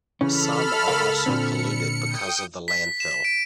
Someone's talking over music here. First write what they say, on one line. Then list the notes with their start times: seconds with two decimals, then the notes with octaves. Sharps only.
Some are also polluted because of the landfill.
0.21 C#3 E3 C#4 A4 B5 F6
0.88 C#2 A#4 F5
1.26 A#2 D3 C4 C#7
2.06 G5 D#6 G6
2.68 B6
3.00 E7
3.24 D7